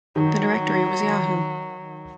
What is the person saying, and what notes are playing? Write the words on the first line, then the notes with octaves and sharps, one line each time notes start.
The directory was Yahoo!
D#3 F#3